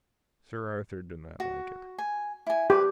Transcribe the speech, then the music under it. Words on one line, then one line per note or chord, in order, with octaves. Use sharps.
Sir Arthur did not like it.
F#4
G#5
E4 G#5
G4 B4